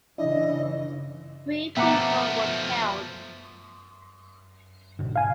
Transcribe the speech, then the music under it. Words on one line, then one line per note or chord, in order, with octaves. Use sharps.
Three people were killed.
C#3 E3 D4 E4 D#5
B2 F3 A3 E5 F#5 G5 A#5 D6
G#2 B2 D3
F5 G#5